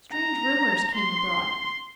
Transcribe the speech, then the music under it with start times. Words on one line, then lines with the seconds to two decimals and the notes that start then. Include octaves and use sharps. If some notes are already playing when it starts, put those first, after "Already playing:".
Strange rumors came abroad.
0.12 A#5
0.94 C6